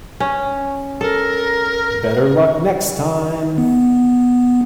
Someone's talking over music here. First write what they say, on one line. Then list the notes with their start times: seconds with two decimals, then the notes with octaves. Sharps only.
Better luck next time!.
0.20 C#4
1.01 A4 A#4
3.58 B3